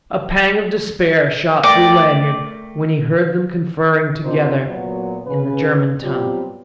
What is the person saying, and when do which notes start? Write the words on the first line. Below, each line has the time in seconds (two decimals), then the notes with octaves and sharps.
A pang of despair shot through Lanyard when he heard them conferring together in the German tongue.
1.63 A3 A#4 D5 G5
4.23 G2 D#3 C4 D4 F4 C5
4.68 A#2 F#3 B3
5.27 C#3 B4
6.02 F#3 G3 B3 C4 F4 G4